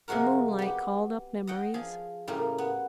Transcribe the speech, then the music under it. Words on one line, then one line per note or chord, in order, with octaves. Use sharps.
The moonlight called up memories.
C3 F3 G#3 F#4 A#4
B3 G4
D#5 F#5 G5
F3 G#4
A2 C#3 G3 A#3
B3